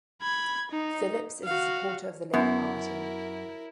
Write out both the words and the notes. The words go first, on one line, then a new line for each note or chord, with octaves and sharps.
Phillips is a supporter of the Labour Party.
B5 G#6
D#4
F#4 F5
F#2 B3 E4 A#4